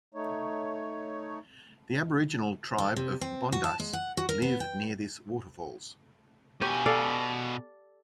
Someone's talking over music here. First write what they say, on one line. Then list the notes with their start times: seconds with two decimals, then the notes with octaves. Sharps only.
The aboriginal tribe of 'Bondas' live near this waterfalls.
0.14 A3 D#4 C#5
2.78 A4
2.96 C3
3.21 C4
3.52 F#4
3.64 A5
3.80 G#3
3.93 F#5
4.17 F#4
4.29 A#4
4.42 B3
4.60 G5
6.62 B2 G4 C#5 G#5
6.86 A4 D5 F5